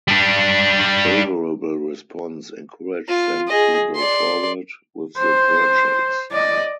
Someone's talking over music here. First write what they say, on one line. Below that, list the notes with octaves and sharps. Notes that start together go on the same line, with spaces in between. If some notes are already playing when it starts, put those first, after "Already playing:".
Favorable response encouraged them to go forward with the purchase.
G3 D4
F4
G#4 D#5
D5 C6
C5
D5 D#5